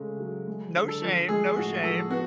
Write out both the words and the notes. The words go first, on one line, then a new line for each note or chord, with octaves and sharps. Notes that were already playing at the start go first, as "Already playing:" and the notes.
No shame, no shame.
Already playing: C#3 G#3 A3
F#3
G#3
D3
A4
F3
G#3 G#4
A2 F#4
F3 A4
B3 F#4